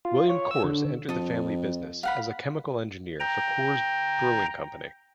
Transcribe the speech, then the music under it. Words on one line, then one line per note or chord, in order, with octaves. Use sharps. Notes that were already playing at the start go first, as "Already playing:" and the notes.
William Coors entered the family business as a chemical engineer for Coors Brewing Company.
F4
C#5
E6
D3
F2 A4 D#6
F5 F#5 B5
G5 A#5